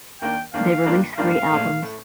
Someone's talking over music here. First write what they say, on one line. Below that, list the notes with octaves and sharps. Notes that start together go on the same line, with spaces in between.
They've released three albums.
D#2 D#3 A#3 D4 G5
D#2 D#3 A#3 D4 F5
G2 D#3 A#3 D4 F4
G2 D#3 A#3 D4 F4 F5
A#1 A2 A3
A2 A3